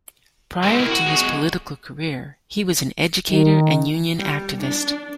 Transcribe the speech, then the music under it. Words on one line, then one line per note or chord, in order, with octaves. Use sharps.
Prior to his political career, he was an educator and union activist.
G#3 C4
E4 A#4
F#4
G#3 F#4
D#3
G3
D4